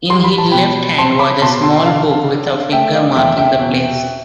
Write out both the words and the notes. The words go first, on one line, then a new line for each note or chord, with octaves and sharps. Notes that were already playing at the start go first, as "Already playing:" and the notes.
In his left hand was a small book with a finger marking the place.
G3 C6
B5
A5
B2 G5 B5
C4 A5 C6
B5 D6
B2 A5 C6
A5 C6
D3 F5 A5
D4
A3 E5 G5
D5 F5
E2 E5 G5
E5 G5
B2